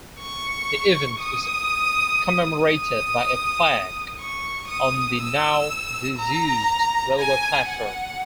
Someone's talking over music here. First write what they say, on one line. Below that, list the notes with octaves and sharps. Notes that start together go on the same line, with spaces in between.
The event is commemorated by a plaque on the now disused railway platform.
C#6
D#6
D#6
C#6
D#6
E6
A#5
G#5
F#5